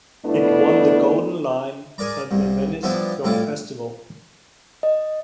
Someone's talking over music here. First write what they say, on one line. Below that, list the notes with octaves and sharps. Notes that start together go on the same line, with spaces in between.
It won the Golden Lion at the Venice Film Festival.
F2 A3 B3 D4 E4
G#4 A#4 D5 A#5
C2 G2
F3 G3 B3 D4 E4
A2 G3 E4 F4
D#5